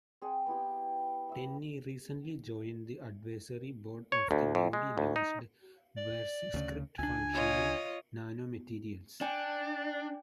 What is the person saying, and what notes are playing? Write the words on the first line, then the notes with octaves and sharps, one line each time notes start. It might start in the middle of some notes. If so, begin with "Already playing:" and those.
Tenne recently joined the Advisory Board of the newly launched "Veruscript Functional Nanomaterials".
C4 G#4 F#5 G5
B3 E4 G4
E5 E6
C#5
D2
F2
G#3
D2
D#4
D5
D2 C#3
C#2 D4 G#5
F4 C#5 D#5
D4 D5 G5 G#5